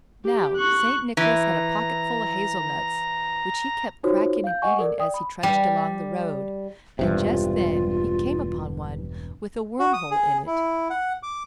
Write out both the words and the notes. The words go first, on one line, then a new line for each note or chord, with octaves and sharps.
Now, St. Nicholas had a pocketful of hazel-nuts, which he kept cracking and eating as he trudged along the road, and just then he came upon one with a worm-hole in it.
G4
C#6 F#6
E3 A#5
D#4 F4 F#4 C5 C#5
F5 G6
D#5 F#5 G#5 C#6
A4 A#4 D5
D5 G5 D#6
B5
G3
E1 G2 C3 F4
F#4
D#6
G#4
E4
F#5
D6